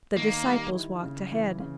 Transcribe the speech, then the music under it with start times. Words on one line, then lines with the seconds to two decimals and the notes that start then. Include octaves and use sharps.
The disciples walked ahead.
0.16 D#3 A#3
0.46 G3
0.74 E4
1.03 C#3
1.32 E3
1.60 C#3